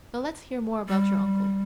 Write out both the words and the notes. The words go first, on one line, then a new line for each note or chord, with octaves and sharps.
"Now let's hear more about your uncle."
G3